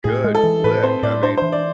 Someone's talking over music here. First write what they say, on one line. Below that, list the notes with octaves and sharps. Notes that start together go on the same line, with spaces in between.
good flick, I mean,
A2 G#4
G#3
A4
E3
A2 B4
C4 C5
A2 D5
D4 C5
C5
E3
D5